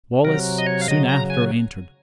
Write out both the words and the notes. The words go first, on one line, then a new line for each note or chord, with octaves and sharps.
Wallace soon after entered.
C3 F#3 A#4
D#5
C#5
F5
C#3 F#3 D#5
A#5
G#5